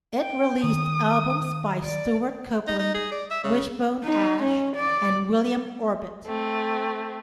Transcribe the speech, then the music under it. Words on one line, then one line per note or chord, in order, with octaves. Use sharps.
It released albums by Stewart Copeland, Wishbone Ash, and William Orbit.
G5
D#3 D#6
D5
D#4
D#4
G#4
D5
E5
C#3
D#4
C#4
D5
A3 C4